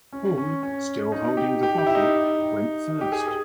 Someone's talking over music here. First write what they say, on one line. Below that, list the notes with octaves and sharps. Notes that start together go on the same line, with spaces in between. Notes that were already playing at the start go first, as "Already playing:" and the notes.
Hall, still holding the bottle, went first.
C#4
C#4
C#4
D#4
G4
G4
G4
E4
D#4
G4
G#4
G#4